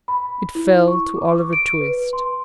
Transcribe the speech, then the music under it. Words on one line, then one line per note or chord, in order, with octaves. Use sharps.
It fell to Oliver Twist.
B5
E4
C#6
D6
C#6
D7
B4
C6